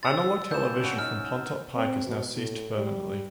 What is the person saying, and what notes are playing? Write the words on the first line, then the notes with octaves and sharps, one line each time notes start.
Analogue television from Pontop Pike has now ceased permanently.
C6 E6 A6
E3 F3 G3 G6 E7
C#4 F#4 G#4
D#4 D#5 F6
C4
B2
A2
G3